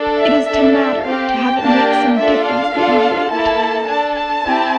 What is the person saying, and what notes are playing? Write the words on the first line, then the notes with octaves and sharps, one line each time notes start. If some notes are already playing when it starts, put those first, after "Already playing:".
It is to "matter," to have it make some difference that you lived.
Already playing: D4 A4
E5
D4 A4 E5
E5
C4 G4 F5
G5
A#3 D4 G4 A5
G5
D4 F4 A4 E5
F5
D4 F4 A4
A#3 E4 A4 A5
D4 A4 A5
A5
C4 E4 G4